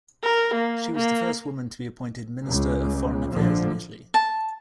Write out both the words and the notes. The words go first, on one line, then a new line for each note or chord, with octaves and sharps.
She was the first woman to be appointed Minister of Foreign Affairs in Italy.
A#4
A#3
A#3
C#2
A#1 D3 F3
A5